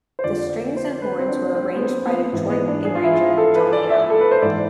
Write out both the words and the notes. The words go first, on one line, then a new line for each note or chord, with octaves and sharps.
The strings and horns were arranged by Detroit arranger, Johnny Allen.
C5
F2 D3 F3 D5
D5
C5
B4
C4
D4
C4
B3
C4
B3
G#2 E3
B3
D4
G#4
F4
E4
F4
A4
B4
D5
E5
A4
B4
C5
G#2 E3 D5